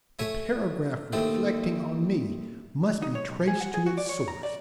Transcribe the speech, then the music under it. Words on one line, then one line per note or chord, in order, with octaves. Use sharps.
The paragraph reflecting on me must be traced to its source.
A3 C#5 E5 G#5
D#2 A3 C4 A4
D#4
C#5
B1
G#4
F#5
G#4
F#4
D5
C#5
A#5
D5